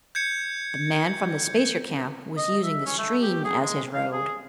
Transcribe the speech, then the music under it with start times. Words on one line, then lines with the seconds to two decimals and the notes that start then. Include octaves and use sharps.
The man from the spacer camp was using the stream as his road.
0.15 G6 G#6 C#7
2.37 D#5
2.63 E5
2.86 C#4
2.98 A3
3.22 G4
3.45 G#4
3.60 G#3
3.94 F5
4.12 G#4